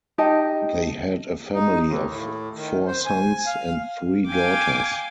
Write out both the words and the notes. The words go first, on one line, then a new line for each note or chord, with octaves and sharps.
They had a family of four sons and three daughters.
D#4 G4 D#5 A5
D#4
D#2
A2
D#3
C5
G#5
F5
F5 G5 G#5 D6